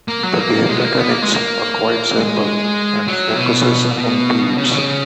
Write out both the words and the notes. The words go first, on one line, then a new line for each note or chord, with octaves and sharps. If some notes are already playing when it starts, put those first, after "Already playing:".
The game mechanics are quite simple and focuses on beats.
A#3
F#3
A#3
G#3
B3
A#3
B3
A#3
G#3
A#3
G#3
F#3
A#2
B2
A#2
B2
C#3
B2
C#3